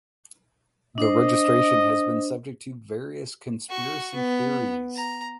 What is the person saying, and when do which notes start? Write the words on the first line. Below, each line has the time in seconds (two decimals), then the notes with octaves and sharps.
The registration has been subject to various conspiracy theories.
0.98 D4 C5 D#5
3.70 F#4 C#6
4.15 B3
4.96 A#5